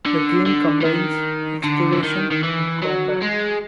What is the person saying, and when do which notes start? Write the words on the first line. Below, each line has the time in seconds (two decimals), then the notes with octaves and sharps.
The game combines exploration and combat.
0.06 D3
0.46 D3
0.81 E3
0.85 D#3
1.64 D3
1.92 E3
2.03 D#3
2.31 D#3
2.43 E3
2.82 F#3
3.22 G#3